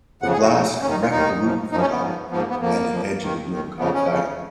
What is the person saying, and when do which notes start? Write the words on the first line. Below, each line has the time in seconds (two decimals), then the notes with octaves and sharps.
The blast wrecked the rooftop and an edge of the room caught fire.
0.22 F2 C#3 F3 F#5
0.32 G#4
0.42 F#4
0.52 F2 C#3 F3 D#4
0.82 D#2 D#3 C#4
0.91 D#4
1.02 F4
1.11 D#2 D#3 D#4
1.41 F#2 F3
1.71 F#2 F3 D#4
1.81 C#4
1.91 B3
2.00 G#2 F3
2.30 G#2 F3 B3
2.40 A#3
2.50 B3
2.60 F2 F3 A#3
2.89 F2 F3
3.20 D#2 D#3
3.50 D#2 D#3
3.79 F2 C#3 F3 B3
3.94 C#4
4.09 F2 C#3 F3